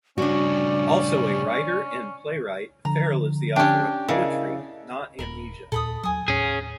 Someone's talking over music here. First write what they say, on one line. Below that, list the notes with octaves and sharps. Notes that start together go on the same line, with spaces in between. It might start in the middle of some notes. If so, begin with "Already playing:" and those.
Also a writer and playwright, Farrell is the author of "Poetry Not Amnesia".
G2 C#3 C#4 D4 F#4 D5
D3 F3 A#5
C#4 D4 G4 G5
C#3 E4 A#4 D5 D#5 F5
D#1 A#4 B5
D#2 A#2 A4 B5 D#6
D#2 F#3 G#5 D#6
D#2 A2 C#4 G#4